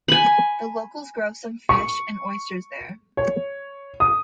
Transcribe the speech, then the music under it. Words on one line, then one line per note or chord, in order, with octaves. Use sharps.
The locals grow some fish and oysters there.
G#5 B5
C#6
C#5
D#6